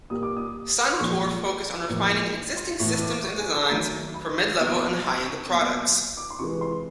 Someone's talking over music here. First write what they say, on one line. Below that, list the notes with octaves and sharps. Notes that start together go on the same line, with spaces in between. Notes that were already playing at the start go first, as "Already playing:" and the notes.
SunTour focused on refining existing systems and designs for mid-level and high-end products.
A#2 G3 A#3 D#6
D6
D#6
C6
A#2 F3 G#3 C#6
A2 F3 A#3
C6
A2 E3 A3 C#6
C#6
D6
C#6
G#5
A5
D#3 F#3 A3 A#5
B5
B2 F#3 A#3
C6
C#6
B2 F#3 A#3
E6
D6
C6
C3 E3 G#3 C#6
C6